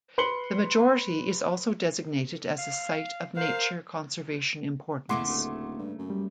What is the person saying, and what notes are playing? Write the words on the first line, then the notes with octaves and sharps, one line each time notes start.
The majority is also designated as a Site of Nature Conservation Importance.
B4 C6 C#7 F#7 G7
F5
A#4 C5 F5
E2 C#3 A3 A#3 F#5 C6 D6
D1
G2
F#2
G3